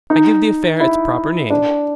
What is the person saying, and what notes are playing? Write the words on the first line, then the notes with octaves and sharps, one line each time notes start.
I give the affair its proper name.
D#4
E4
D4